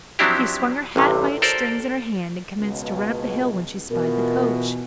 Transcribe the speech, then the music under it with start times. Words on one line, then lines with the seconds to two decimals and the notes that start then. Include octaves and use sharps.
She swung her hat by its strings in her hand and commenced to run up the hill when she spied the coach.
0.19 F3 F#3 C4 D4 E4 G4
0.96 A1 G2 C3
1.42 A4 A#4 C5 D5
2.59 C#2 B2
3.90 B2 E3 F4 A#4